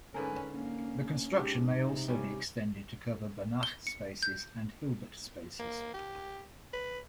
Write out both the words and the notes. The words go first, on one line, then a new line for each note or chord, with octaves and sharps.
The construction may also be extended to cover Banach spaces and Hilbert spaces.
G#2 D3 C#4 A#4 B4 G#5
A#3 C#4
G#2 D4 G4
C3 D#4
G3 C#4 G4
G7
C#7
G6
A#3
G4
B4